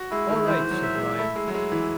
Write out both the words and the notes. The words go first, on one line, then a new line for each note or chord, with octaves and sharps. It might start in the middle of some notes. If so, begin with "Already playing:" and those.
"All right," said Ryan.
Already playing: F#4
G#3 E4
D#3
E3 C5
F#3
E5
G#3
A3 E4
G#3
F#3
G#3 E4
E3